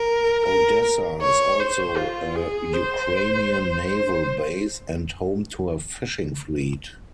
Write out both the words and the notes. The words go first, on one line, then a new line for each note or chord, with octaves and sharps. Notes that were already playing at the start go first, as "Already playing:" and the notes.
Odessa is also a Ukrainian naval base and home to a fishing fleet.
Already playing: A#4
A#4
C#5
C5
F4
G#4
C5
C5